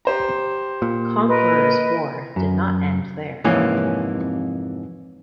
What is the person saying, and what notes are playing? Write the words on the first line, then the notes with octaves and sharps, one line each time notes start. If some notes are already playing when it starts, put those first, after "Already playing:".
"Conqueror"s war did not end there.
G4 C5 A#5
A#2
A#4 B4 D#5
F#2
F2 G#2 C3 E3 A#3 C#4